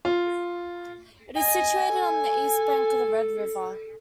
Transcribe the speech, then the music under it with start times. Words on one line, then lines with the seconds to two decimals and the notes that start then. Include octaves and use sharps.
It is situated on the east bank of the Red River.
0.05 F4
1.36 D#5 G#5
1.94 A4